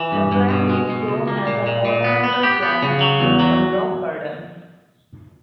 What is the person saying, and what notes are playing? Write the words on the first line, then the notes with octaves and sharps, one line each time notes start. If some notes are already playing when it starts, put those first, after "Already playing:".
The plant is grown as an ornamental plant in some rock gardens.
Already playing: E3
G2
G2
B2
G#3
B2
C#2
A#3
A#2
A#2
A#2
B3
B3
G4
B3
C#3
F#3
E2
F#3